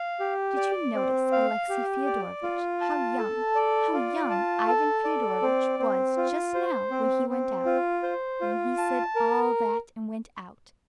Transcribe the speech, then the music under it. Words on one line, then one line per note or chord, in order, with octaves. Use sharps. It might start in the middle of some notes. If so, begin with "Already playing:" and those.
Did you notice, Alexey Fyodorovitch, how young, how young Ivan Fyodorovitch was just now when he went out, when he said all that and went out?
Already playing: F5
G4
D5
C4
F5
G4
D5
F4
A5
A4
D5
F4
A5
A4
D5
C4
C4
F4
C5
C4
C4
F4
C5
F4
A5
A#4